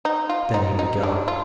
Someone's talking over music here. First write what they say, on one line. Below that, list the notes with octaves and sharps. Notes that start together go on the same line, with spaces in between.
Then he would go.
D#4
F4
D#4
D#4
D4
F4